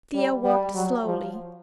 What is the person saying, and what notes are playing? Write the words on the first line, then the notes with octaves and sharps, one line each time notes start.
Thea walked slowly.
G3
G3
F#3
F3